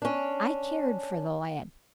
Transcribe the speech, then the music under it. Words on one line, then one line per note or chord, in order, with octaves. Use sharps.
I cared for the lad.
C#4 D4